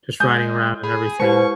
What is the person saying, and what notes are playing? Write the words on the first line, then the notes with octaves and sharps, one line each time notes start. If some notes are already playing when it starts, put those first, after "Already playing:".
just riding around and everything.
G#3 G#5 D#6 G6
G#4 B5
G#3 E4 G4 B4 C5 C#6